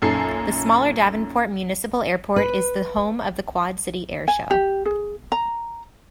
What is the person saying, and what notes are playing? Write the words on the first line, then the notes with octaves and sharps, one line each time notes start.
The smaller Davenport Municipal Airport is the home of the Quad City Air Show.
F#2 A#2 D#4 A4 G#5 C7
B4
G#5
G4
G#4
A#5